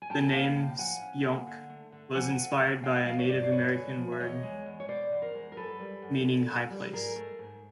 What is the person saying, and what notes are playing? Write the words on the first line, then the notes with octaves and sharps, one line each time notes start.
The name "Speonk" was inspired by a Native American word meaning "high place".
G#5
C#4 G5 A5
A#3 F5 G5
A2 G5 A5
F3 F#5 G#5
C#4
A#3
D3
A3
D3
F3 F#5 G#5
D3
A3
G#3 F5 G5
F3 D#5 F5
C#5
G2 C5 D5
C5
D3 B4 C#5
G#3
F3
E5
E2 C#5 D#5
G#3
E2
C#5
B2 C5 D5
E2
A#4 C5
G#3
A#4
F#2 A4 B4
G3
F#2
D3
F#2
G3
G#2 G#4 A#4
A3
G#2